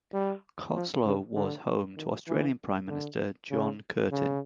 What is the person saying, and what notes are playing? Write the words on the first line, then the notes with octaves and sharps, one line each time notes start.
Cottesloe was home to Australian Prime Minister John Curtin.
G3
F3
C#3
D3
D#3
E3
D3
C#3
C#3